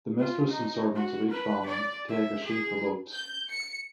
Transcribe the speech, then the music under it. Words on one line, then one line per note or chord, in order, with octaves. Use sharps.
The mistress and servants of each family take a sheaf of oats.
F4
D#4
F#4
B4
D5
E5
G#4
G6
C#7